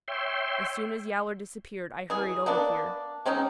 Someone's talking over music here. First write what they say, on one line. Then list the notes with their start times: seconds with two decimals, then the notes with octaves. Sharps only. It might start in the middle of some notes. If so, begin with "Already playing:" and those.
As soon as Yowler disappeared I hurried over here.
0.08 C#5 E5 G5 C6
2.10 E3 G#4
2.46 A#3 B3 D4
3.25 G#3 C4 C#4 D#4